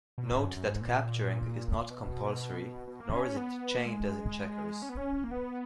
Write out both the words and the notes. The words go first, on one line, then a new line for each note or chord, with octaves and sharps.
Note that capturing is not compulsory, nor is it "chained" as in checkers.
B2
A#2
G#2
F#2
F#2
G#2
A#2
A#2
B2
B2
A#3
C#4
C#4
B3
A#3
G#3
C#4
B3
C#4
A#3
B3